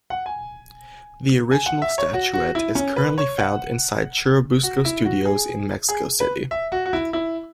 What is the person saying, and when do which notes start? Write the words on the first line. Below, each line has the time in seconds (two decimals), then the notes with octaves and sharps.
The original statuette is currently found inside Churubusco Studios in Mexico City.
0.10 F#5
0.26 G#5
1.51 G#5
1.66 F#5
1.82 E5
1.98 C#5
2.13 F#4
2.34 F#4
2.55 E4
2.75 C#4
2.96 B4
3.18 C#5
3.38 F#5
4.63 F#4
4.85 E4
5.05 F#4
5.25 G#4
5.89 G#4
6.20 B4
6.51 E5
6.72 F#4
6.86 F#4
6.93 E4
7.13 E4